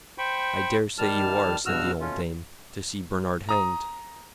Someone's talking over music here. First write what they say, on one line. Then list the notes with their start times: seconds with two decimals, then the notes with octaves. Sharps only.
"I daresay you are," said the old dame, "to see Bernard hanged."
0.18 C5 G5 B5 C#6
0.98 D#3 G3 A5 F6
1.66 E2 G2 B2 F#4 E6 F6
2.00 B2 A3 C#4 F4
3.49 A#5 D#6